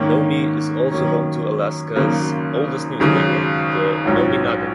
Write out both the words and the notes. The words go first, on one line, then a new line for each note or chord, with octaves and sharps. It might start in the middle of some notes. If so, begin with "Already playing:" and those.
Nome also is home to Alaska's oldest newspaper, the "Nome Nugget".
Already playing: G#2 D#3 A#3 C#4
F#2 D#3 A#3 C#4
G#1 F#2 C#3 A#3
G#1 F#2 C#3 G#3
A#1 G#2 F#3 C#4